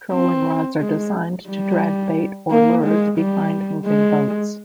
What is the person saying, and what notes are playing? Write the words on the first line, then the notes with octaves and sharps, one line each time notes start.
Trolling rods are designed to drag bait or lures behind moving boats.
C4
G#3
G3
A#3
G#3
G3
G#3